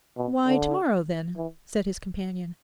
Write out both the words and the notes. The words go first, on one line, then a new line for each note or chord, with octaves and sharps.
'Why, to-morrow, then,' said his companion.
B2
D3
E3